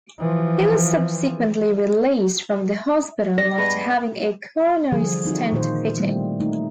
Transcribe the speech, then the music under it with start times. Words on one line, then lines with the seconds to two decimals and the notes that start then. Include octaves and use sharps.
He was subsequently released from the hospital after having a coronary stent fitted.
0.19 E3 F3
3.38 D5 A#6
3.58 G2 G#3 B3
4.92 D3 E3 F3 G3 G#4
5.25 C4 D#4 F4 F#4
5.52 A#2 D#3 F4 C5
5.97 D#3 G3 A3 A#3 C4 E4
6.40 A3 D#4